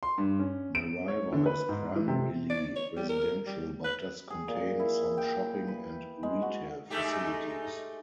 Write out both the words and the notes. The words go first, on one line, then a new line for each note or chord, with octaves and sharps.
Merriwa is primarily residential, but does contain some shopping and retail facilities.
C6
G2
C#4
D7
C#5
D3
B4
G#2
E3
C3
D5
C#5
G3
A#4
G3
B4
G#4
A#2
E4
G5
B4
G#3
F#4
G#3 A3 D#4 G4